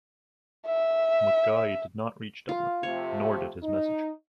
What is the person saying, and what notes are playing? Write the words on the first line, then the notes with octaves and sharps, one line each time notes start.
McGoey did not reach Dublin, nor did his message.
E5
F4
C3 F3 A3 C#5
D#4